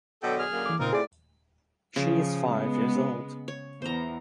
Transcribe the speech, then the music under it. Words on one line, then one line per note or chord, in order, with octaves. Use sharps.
She is five years old.
B2 D3 F#3 A4 G5
G#4 F6
F#2 D3 A#3
E3 D6
A#2 C#3 C4 D#4 F4 A#4
A2 G#4 D5
C#3 F3
G#3 B3
C#5
E2 C5 A#5